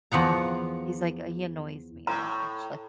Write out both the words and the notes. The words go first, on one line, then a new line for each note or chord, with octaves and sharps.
He's like, uh he annoys me a lot, actually.
E2 F3 F#5 A#5
A2 A#5